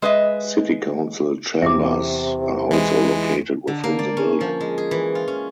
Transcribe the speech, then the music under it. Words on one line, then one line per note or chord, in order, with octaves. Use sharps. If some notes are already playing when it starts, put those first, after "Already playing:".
City Council chambers are also located within the building.
G#3 B4 D#5 E5
E2 C3 E5 D6
E3 G#3
D3
A#3
D5
C#4
F3
G#3
G#4
E3
F4
C#4